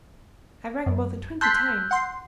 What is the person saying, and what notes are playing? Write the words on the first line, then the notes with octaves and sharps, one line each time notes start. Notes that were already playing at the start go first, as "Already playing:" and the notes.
I rang more than twenty times.
F#2
A5 C6 E6 F#6 G6 B6
F#5 C6